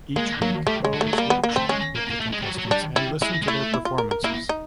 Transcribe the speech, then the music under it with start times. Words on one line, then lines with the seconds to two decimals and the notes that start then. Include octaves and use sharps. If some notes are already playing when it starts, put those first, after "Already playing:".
Each week, Bowes would chat with the contestants and listen to their performances.
0.16 G#3 A#3
0.41 F#3 A#3
0.67 G3 A3
0.85 G#3
0.93 F#3
1.01 A3
1.07 F#3
1.13 A3
1.18 G3 A#3
1.30 B3
1.43 A#3
1.56 A3 C4
1.69 G#3 C#4
1.95 A#3
2.10 A#3
2.20 A3
2.32 G#3
2.42 G3
2.45 F#3
2.58 F#3
2.71 G3 D4
2.96 G3 E4
3.22 G#3 E4
3.43 G#3
3.48 A3 E4
3.74 E4
3.85 F4
3.98 A#4
4.11 A#4
4.24 A#3 E4
4.49 D#4